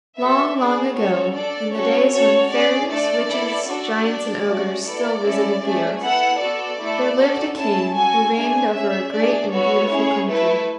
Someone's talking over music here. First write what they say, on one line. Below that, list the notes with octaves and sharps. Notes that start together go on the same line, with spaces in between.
Long, long ago, in the days when fairies, witches, giants and ogres still visited the earth, there lived a king who reigned over a great and beautiful country.
B3 F#4 A4 E5
D4 G#4 D5
C#4 F#4 A4 C#5
D4 A4 D5
C#4 F#4 A4 C#5
C#4 F#4 A4 C#5
C#4 G#4 D5
A3 D4 A4 D5
B3 E4 A4
D4 F#4 A4 D5
D4 A4
A3 C#4 F#4
B3 E4 A4 D5
C#4 E4 A4
A3 C#4 G#4
B3 E4 A4 F#5
B3 F#4 A4 D5
A3 E4 A4
C#4 F#4 A4
C#4 E4 G#4 A5
C#4 F#4 A4 G#5
A3 D4 G#4 G#5
C#4 G#4 E5
A3 D4 G#4 D5
B3 F#4 A4 C#5
C#4 E4 G#4
A3 E4 A4 B4